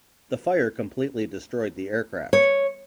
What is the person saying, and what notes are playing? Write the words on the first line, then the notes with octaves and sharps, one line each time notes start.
The fire completely destroyed the aircraft.
C#5